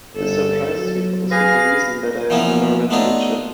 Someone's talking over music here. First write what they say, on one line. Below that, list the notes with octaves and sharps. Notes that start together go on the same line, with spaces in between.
This surprises me, for the simple reason that I have never read Nietzsche.
G1 A4
F#3
G#4 B4 F5 A#6
E3 F3 A#3 B3 C#4
A3 B3 D4 D#4 F4 C#5